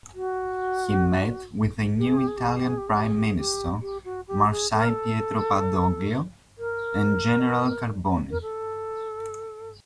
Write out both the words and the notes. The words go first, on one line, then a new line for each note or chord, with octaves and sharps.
He met with the new Italian Prime Minister, Marshal Pietro Badoglio and General Carboni.
F#4
G4
G#4
G4
G#4
G4
G#4
G4
G#4
G4
G#4
G4
G#4
G4
G#4
G4
G4
F#4
G4
G#4
A4
A#4
A4
A#4
A#4
A4